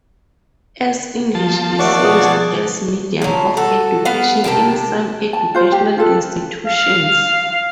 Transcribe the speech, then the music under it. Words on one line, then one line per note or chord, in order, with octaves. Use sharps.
As English is used as medium of education in some educational institutions.
F3 A5
D#2 A3 D5 F#5 C#6
B2 G#4
F3 F#3
F#4 A4
B3 F5
C3 A#4 G5 A5
A5
F4 C5
G4
F4 A4 B4
F5